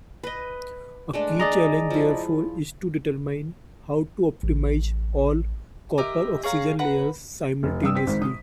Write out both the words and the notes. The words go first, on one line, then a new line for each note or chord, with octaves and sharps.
A key challenge therefore is to determine how to optimize all copper-oxygen layers simultaneously.
B4 D#5
G#3 A3 D4
G#4 D5 D#5 A#5
F3 E4
A1
G4 A#4 D#5 E5
G#4 C#5 F5 A#5
B4 F#5 A#5
F1
G2 G3 D#6 E6
C4 B6
G#1 G#2
D#6